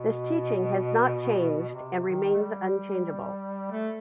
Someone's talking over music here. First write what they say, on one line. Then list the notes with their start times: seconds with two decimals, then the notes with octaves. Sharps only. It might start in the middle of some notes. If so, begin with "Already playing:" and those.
This teaching has not changed and remains unchangeable.
Already playing: B2
1.69 B2
1.74 C3
2.07 D#3
2.34 A3
2.40 G3
3.71 A3